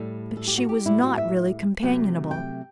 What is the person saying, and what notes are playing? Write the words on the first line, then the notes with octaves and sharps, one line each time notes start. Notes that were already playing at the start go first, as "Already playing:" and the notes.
But she was not really companionable.
Already playing: A2 G3 A4
A4
G4
F#4
G4
A2 G3 E4
F#4
E5
C3 F#3 A3
G5